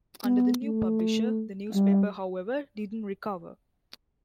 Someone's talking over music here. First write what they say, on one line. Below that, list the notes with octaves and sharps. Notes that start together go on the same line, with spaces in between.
Under the new publisher, the newspaper however didn't recover.
B3
A3
G3